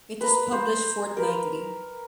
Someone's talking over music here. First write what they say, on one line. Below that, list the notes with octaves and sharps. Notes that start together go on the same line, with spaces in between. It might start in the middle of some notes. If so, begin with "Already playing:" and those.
It is published fortnightly.
A#4 B4
C5
A#4 B4